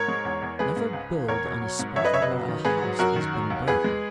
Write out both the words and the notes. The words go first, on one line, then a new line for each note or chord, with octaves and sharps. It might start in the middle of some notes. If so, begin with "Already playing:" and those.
Never build on a spot where a house has been burned.
Already playing: G#2 A#4 C#5
G#3
E2
E2
G#3 G#4 B4
G#2
C#2
E3
E2 A#4 C#5
B2
F#3
G#2
F#2 C#5 E5
B4 D#5
C#3 C#5 E5
B4 D#5
F#3
D#3
G#2 G#4 B4
F#3
F#2 F#4 A#4
D#3
F#3
D#2
E2 G#4 B4
G#3